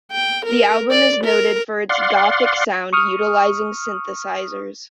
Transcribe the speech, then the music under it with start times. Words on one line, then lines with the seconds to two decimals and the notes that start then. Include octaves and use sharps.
The album is noted for it's gothic sound, utilizing synthesizers.
0.12 G5
0.46 A#4
0.91 D5
1.24 A#4
1.89 D5 F5 F#5 C6
2.93 C#6 D#6 F6